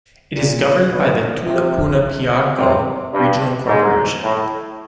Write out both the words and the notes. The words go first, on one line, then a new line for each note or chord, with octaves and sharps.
It is governed by the Tunapuna-Piarco Regional Corporation.
A#2
B2
C3
C3
G2
G#2
A2